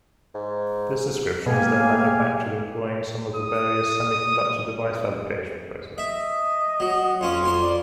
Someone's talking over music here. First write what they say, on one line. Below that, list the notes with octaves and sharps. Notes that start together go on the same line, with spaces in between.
This description is then manufactured employing some of the various semiconductor device fabrication processes.
G#2
B2 A#3 G4 G#4 F5 G#5
D#6
D#5 E5
F#3
F2 C#4 F4
F2 C6
D5